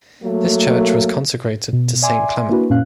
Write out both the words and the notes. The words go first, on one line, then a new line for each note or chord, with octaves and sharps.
This church was consecrated to Saint Clement.
F#3 A3 A#3
B2
D5 E5 G#5 C6 D6
A#3 D4 E4 F#4 B4
F#2 A#2 C#4 F5 F#6